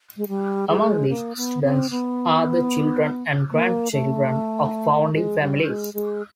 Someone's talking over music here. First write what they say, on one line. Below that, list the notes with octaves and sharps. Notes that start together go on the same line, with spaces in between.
Among these students are the children and grandchildren of founding families.
G#3
G3
G#3
A#3
B3
C4
B3
A#3
A3
G#3
G3
G#3
G#3